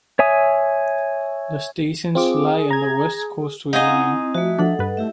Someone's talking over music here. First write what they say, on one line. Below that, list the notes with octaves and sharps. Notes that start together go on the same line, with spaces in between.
The stations lie on the West Coastway Line.
C#5 E5 G#5 D#6
C4 F4 G#4 D6
A#5 G#6
D#4 G#4 D#5 F5 F#5
C4 E4
F3 A3 F#4 E5
F3 D4 A4 F#5
G2 B4
A3 E4 G4 E5